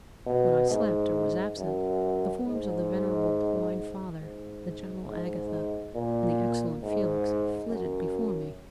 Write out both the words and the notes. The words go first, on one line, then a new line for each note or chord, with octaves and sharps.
When I slept or was absent, the forms of the venerable blind father, the gentle Agatha, and the excellent Felix flitted before me.
B2
G#2
F#2
G#2
G#2
G#2
A#2
G#2
F#2